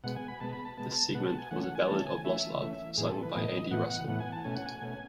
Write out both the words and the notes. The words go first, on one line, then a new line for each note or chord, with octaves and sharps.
This segment was a ballad of lost love, sung by Andy Russell.
B2 G#3 B3 F#5
G#5
B5
B2 G#3 B3 A5
B5
A5
B2 G#3 B3 A5
B2 G#3 B3 F#5
A5
G#5
E3 A3 C#4 F#5
F#5
G#5
E3 A3 C#4 A5
G#5
E3 A3 C#4 E5
E3 A3 C#4
A2 E3 B3 G#4
A4
B4
A2 E3 B3 D#5
A2 E3 B3 F#5
F#5
A2 E3 B3 F#5
G#5
A5
B2 A3 C#4 G#5
F#5
G#5
B2 A3 C#4